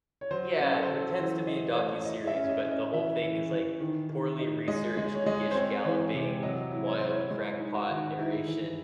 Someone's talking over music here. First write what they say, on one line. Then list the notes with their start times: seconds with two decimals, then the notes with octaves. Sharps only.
yeah, it pretends to be a docuseries, but the whole thing is, like, poorly researched, gish galloping, wild crackpot narration.
0.21 C#5
0.31 F#3 C5
0.60 C#4
0.74 A4
0.83 C5
0.89 F#3 A4
1.18 E3 C5
1.47 E4 D#5
1.71 C#5
1.76 A3 C5
2.05 E4 D#5
2.27 E5
2.35 C#4
2.44 C#5
2.49 D#5
2.63 C#4
2.71 D#5
2.93 E3 E5
3.22 E3
3.51 E3
3.81 D#3
4.10 D#3
4.39 D#4
4.68 G#3 D#5
4.97 G#3
5.15 C#5
5.26 G#3 D#5
5.51 C5
5.55 C4 C#5
5.85 E3
6.14 C3
6.43 F#3 D#5
6.72 E4
6.87 C#5
6.99 E4 C5
7.11 C#5
7.31 G#3
7.59 D#4
7.75 F#4
7.89 D#3
8.07 F#4
8.18 D#4 E4
8.47 E3